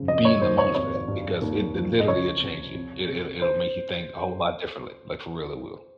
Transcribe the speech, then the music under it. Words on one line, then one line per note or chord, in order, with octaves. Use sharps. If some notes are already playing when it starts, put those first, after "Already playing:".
be in the moment for that, because it it literally it'll change you, it it it'll make you think a whole lot differently, like for real it will.
Already playing: C#3 F3
F1 D#5
C#5
D#2 C5
C#5
G#1 C#5
G2
D#2
F3
D#5
C#2 C#5
C3
F2
C3
C5